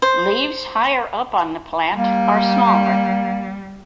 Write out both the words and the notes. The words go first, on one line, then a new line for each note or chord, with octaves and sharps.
Leaves higher up on the plant are smaller.
C5
G3 A#3